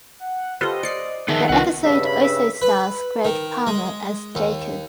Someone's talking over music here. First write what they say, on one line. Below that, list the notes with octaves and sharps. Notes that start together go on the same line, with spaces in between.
The episode also stars Gregg Palmer as Jacob.
F#5
F4 G4 A4 B4 C5 D#5
D5 D#5 C7 C#7
D#3 B3 G#4 E5 A5
C2 B3 F4 F#5
G2 C#3 E5
B5
E5
B4
D#3
G#3
D#2